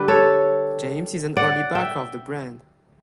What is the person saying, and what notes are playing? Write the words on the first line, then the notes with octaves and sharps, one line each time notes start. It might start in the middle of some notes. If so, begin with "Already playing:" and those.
James is an early backer of the brand.
Already playing: D3 G3 G4 B4
A4 C#5
D5 F#5
E5 G5